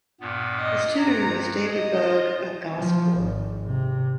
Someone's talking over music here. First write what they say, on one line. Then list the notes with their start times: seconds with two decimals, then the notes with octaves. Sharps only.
His tutor was David Bogue of Gosport.
0.21 G2 A#2 B3
0.59 D#5
0.98 G2 A#5 G#6
1.67 D#5
2.04 F4
2.78 F3
3.18 G#1
3.66 C3